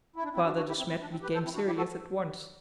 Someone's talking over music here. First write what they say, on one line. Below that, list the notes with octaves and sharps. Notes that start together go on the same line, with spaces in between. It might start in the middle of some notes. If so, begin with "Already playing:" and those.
Father De Smet became serious at once.
E4
D4
C4 E4
D4 F#4
D4 F#4
E4 G4
C4 E4
C4 E4
D4
C4
G4 B4
A4 C5
C4 E4
D4 F#4
E4 G4
F#4 A4